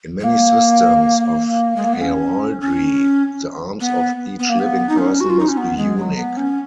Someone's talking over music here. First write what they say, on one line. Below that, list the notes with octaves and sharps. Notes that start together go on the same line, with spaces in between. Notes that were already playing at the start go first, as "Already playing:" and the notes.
In many systems of heraldry, the arms of each living person must be unique.
G#3
A#3
G#3
A#3
B3
C#4
C#4
B3
B3
A#3
B3
D#4
C#4
F#4
F4
D#4
C#4
B3
G#3
F#3
B3
C#4